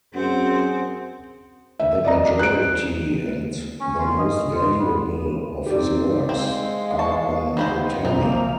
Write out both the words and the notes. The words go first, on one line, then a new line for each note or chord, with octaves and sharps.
The majority and the most valuable of his works are on botany.
F#2 C4 G#4 F#5
E5
D5 D#5 A#5
F#6 D7
C#4
F4
D#5
F4
B3
C4 D#4 G4 D5
G#3 C4 F5
A5 C#6
D#3 B3 C5 F5
A#1 A#2 C4 D#4 A#5
A#3